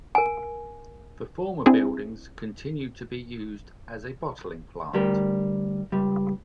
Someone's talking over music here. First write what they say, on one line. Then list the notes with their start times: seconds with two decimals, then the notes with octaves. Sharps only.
The former buildings continued to be used as a bottling plant.
0.15 A#4 G#5
1.66 C4 D4 E4 G#4
4.93 D2 G3 A#4
5.92 C#2 G3